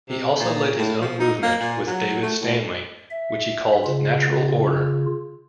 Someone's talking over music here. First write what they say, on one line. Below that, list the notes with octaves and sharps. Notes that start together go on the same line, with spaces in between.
He also led his own movement with David Stanley which he called "Natural Order".
C3
A#2
A2
F3
D#4
A#3
A#2
F#3
A3
A2
E5
C#3 F4